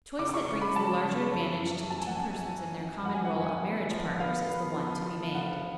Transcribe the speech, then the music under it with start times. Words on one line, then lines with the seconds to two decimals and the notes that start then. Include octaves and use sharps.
The choice that brings the larger advantage to the two persons in their common role of marriage partners is the one to be made.
0.19 C#3 D6
0.29 D6
0.34 C#6
0.48 C#3
0.62 B5
0.76 F#3 A5
1.04 C#3
1.33 F#2
1.62 F#2
1.90 F#2 A5
1.99 G#5
2.07 F#5
2.15 F#2 G#5
2.48 F3
2.77 F#2
3.05 F#2 F#5
3.15 G#5
3.25 F#5
3.34 F3
3.63 B3
3.91 F3
4.20 B3 F5
4.49 B3
4.77 F3
5.06 F3
5.35 D2 F#5